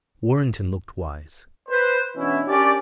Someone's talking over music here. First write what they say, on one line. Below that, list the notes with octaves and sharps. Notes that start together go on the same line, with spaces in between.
Warrenton looked wise.
B4 C5
B2 E3 C#4 D4 E4
C#4 D4 G4 A#4 D5